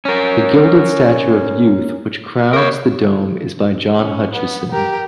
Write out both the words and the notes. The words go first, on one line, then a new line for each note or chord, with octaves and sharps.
The gilded statue of Youth which crowns the dome is by John Hutchison.
C#4 A#4
A#4 C#5
C#4
B3
G4 A#4